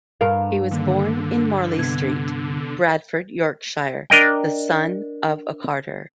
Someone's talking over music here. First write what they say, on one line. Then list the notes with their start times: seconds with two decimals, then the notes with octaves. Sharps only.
He was born in Marley Street, Bradford, Yorkshire, the son of a carter.
0.21 G2 A#4 F5
0.71 D3 D#3 A#3
1.78 C3 B3 G#6
4.10 D4 A#4 D#5 G5